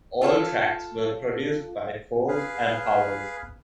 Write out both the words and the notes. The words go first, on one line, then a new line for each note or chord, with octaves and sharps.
All tracks were produced by Folds and Powers.
F4 A4 C5 F5
G#4 B4 F5